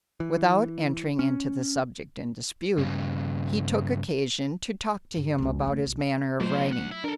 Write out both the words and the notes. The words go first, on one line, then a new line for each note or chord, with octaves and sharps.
Without entering into the subject in dispute, he took occasion to talk to him about his manner of writing.
E3
C#4
G2 C#3
G2
C#2 F#2
F2 A3
B1
B2 F#3 A3 F4 C5
D2 F#5
E4
D4 A4 A#4